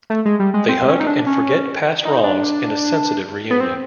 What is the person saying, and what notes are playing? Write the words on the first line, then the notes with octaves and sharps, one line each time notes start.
They hug and forget past wrongs in a sensitive reunion.
A3
G#3
G3
G#3
C4
C#4
D#4
D4
C#4
D#4
D4
B3
C4